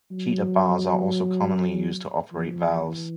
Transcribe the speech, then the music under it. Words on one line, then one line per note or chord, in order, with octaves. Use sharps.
Cheater bars are also commonly used to operate valves.
F#3
F3
E3